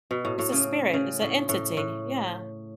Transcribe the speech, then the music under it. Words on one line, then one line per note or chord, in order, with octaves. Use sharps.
It's a spirit. It's a entity. Yeah.
B2
A2
A2
C#3
C#3
A2
A2
A2